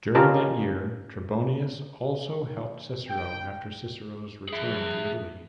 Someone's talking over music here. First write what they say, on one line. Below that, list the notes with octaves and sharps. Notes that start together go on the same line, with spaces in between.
During that year, Trebonius also helped Cicero after Cicero's return to Italy.
C#4 F4 G4 A#4 D#5 A5
G5
G#4 E5